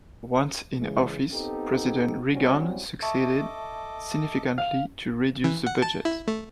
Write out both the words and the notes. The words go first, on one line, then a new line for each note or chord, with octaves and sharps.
Once in office, President Reagan succeeded significantly to reduce the budget.
C#3 E3 G#3
B3 C4 D#4 G4 A4
G3 C4 C#4 E4 F#4
A4 D#5 E5 A5 C#6 D6
F5
E3
F#5
A5
E4
A3